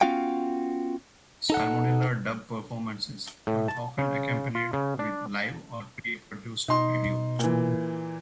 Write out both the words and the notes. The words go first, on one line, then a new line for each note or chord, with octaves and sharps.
Salmonella Dub performances are often accompanied with live or pre produced video.
B3 C#4 F4 F#4 F5 G5
D#4 A4 F#5
A2
A5
C#3
F4
C#3
D4
B2 D#4 C6
A#2 E3